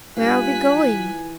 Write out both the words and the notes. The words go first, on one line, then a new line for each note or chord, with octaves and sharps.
"Where are we going?"
G2 F4 G#5 F#6 B6
E3